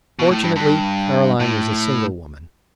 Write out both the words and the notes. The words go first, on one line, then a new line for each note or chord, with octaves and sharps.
Fortunately, Caroline was a single woman.
B2
A2
G2
G2
A2